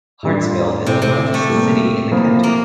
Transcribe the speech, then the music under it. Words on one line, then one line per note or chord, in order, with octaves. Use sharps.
Hartsville is the largest city in the county.
A2 G3 D4 F4
A2 C3 E3 A3
C3
A3
A2 G3 A#3
F3 A#3 E4
A#3